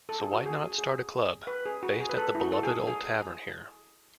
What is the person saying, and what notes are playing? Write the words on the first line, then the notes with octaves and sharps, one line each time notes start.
So why not start a club, based at the beloved old tavern here.
A4
G#4
F#4
G#4
G#4
B4
G#4
F#4
G#4
B4
A4
E4
F#4
A4
G#4
G#4